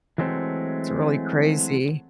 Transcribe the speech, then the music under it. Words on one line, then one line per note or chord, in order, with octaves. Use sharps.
It's really crazy.
E3 F#3 G#3 A3 C4